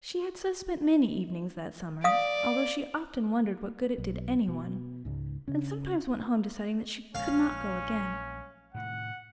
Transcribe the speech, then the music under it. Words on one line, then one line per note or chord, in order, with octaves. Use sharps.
She had so spent many evenings that summer, although she often wondered what good it did any one, and sometimes went home deciding that she could not go again.
D5 F5 D#6
B1
B2
C#2 G#2
C#3 C#4
A#1 G#3 C#4 F5
A2 C3 D#3 F#5